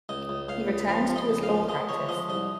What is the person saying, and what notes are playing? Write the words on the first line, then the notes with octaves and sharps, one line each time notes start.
He returned to his law practice.
C#2 D#5
C#2
C#2 F5
C#2
F3 F5
F3
D#5
C#2
F5
F3
F3 D#5
G#3 C#5
F3 D#5
C2 D#5